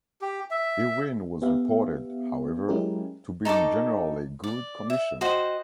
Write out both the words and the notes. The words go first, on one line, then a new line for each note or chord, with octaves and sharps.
Irwin was reported, however, to be in generally good condition.
G4
E5
B3 G4 E5 F5
F#3 G#3 C#4 E4 G4 A#4
D#4 A4 C#6 D6
D5
E5
F#4 C5 D#5 G5